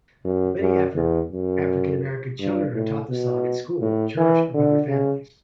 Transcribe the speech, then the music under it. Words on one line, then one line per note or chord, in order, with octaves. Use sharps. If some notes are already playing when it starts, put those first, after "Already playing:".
Many African-American children are taught the song at school, church or by their families.
F#2
F#2
E2
F#2
G2
A2
B2
A2
E3
D3
C#3